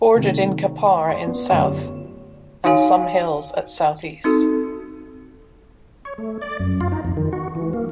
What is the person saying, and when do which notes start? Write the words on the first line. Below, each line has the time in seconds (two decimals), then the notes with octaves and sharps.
Bordered in Kapar in South and some hills at Southeast.
0.16 C3 D#3 A3
1.09 D5 C6
1.27 B3
1.50 F#2 D3 A3 F4 C#5 E7
1.64 G4
2.65 D#4 F#4 C#5 F5 G#5
4.24 C4 D#4 F#4 A4
6.05 C#5
6.18 A3
6.42 D5
6.60 F#2
6.81 F4
6.92 D#4
7.05 F2
7.17 D#3
7.33 F#4
7.55 E3
7.73 A#3